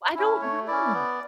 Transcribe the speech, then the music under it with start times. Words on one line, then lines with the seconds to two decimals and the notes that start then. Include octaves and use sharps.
I don't know,
0.15 C#4 E4
0.41 A3 C#5
0.67 C#4 E4 D5
0.94 B3